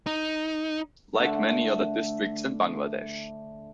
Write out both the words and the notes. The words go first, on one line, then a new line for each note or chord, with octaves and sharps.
Like many other districts in Bangladesh.
D#4
D3 A3